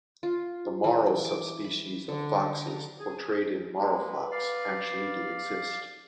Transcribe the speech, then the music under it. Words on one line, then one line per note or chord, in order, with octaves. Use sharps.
The "Marl" sub-species of foxes portrayed in "Marlfox" actually do exist.
F4
E3
D6
B5
D3
A#5
G#4
G#3 A#3 B4
D5 F5